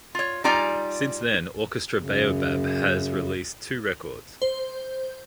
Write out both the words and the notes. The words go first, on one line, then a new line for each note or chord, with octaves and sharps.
Since then Orchestra Baobab has released two records.
F4 C#5
G3 D#4 F4 D5 G#5 A#5
F#2 C#3
C5